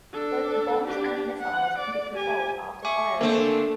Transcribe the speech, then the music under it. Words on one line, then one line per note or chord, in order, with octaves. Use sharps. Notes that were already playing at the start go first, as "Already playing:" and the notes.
Both the bombs and missiles can be controlled after firing.
D4 A4
D4 G4
F#5
D5
G4 G#5
E5 G#5 C#6 D6
D3 A3 A#3 C4